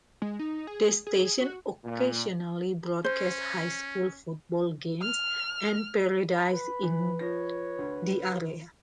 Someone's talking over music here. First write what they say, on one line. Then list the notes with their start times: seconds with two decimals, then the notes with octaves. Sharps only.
The station occasionally broadcasts high school football games and parades in the area.
0.22 G#3
0.39 D#4
0.67 G#4
1.07 G#4
1.41 F#4
1.84 A#2
3.04 C#4 C5
5.02 F6
6.34 B5
6.52 B4 B5
6.82 E3
7.19 F3 C#5 A#6
7.78 D2